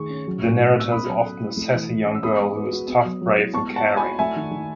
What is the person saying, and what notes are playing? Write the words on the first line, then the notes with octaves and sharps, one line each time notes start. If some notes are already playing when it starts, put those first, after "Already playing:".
The narrator is often a sassy young girl who is tough, brave, and caring.
Already playing: D#3 A3 G#4 C#6
C#4
F#3
A2
F#4
F#6
B3 E6
C#4 B5 D#6
F#3
A4
E4
A3
E3
E3
C#4
E6
B3 B5 D#6
G#3
B4
F#4
B3
F#3
F#3
E4
B3 A5 C#6
G#3
F#5 A5
C#5
G#5 B5
F#4
A3 E5 G#5
D#3
D#3